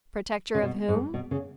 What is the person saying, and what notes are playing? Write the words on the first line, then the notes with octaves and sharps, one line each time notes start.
Protector of whom?
C#3
B2
G#2
B2
C#3